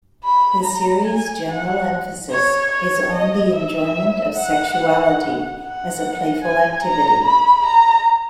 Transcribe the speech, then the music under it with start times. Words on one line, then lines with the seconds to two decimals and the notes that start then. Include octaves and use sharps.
The series' general emphasis is on the enjoyment of sexuality as a playful activity.
0.24 B5
0.66 A#5
1.07 G#5
1.49 F#5
2.31 C#5
2.72 C#5
3.13 D#5
3.54 E5
4.36 F#5
5.60 F#5
6.42 G#5
6.83 A#5
7.25 B5
7.66 A#5